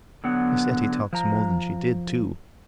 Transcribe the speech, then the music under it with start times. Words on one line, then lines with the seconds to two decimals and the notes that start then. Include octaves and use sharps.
Miss Etty talks more than she did, too.
0.24 D3 F#3 B3 F#5
1.13 F3 A#5